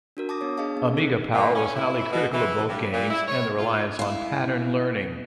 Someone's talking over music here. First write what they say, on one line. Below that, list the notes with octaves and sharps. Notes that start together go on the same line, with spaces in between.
Amiga Power was highly critical of both games and the reliance on pattern learning.
D4 F#4 A#4
A5 D6 D#6 A#6
B3 D4 C#5
D4 G#4 D#5 F5 A5
B3
C#4 D#4 A4 B6
A#2
C#4
E4
B2
E3
G2
A#2
E4
C#5
F4
E4 F5